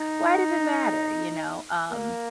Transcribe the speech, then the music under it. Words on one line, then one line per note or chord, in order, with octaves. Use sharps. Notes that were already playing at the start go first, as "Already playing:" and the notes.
why does it matter?" you know? Um,
Already playing: D#4
A#3